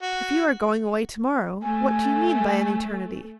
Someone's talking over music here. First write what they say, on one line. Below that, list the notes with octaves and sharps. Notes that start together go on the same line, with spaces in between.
"If you are going away to-morrow, what do you mean by an eternity?"
F#4
A3 G#5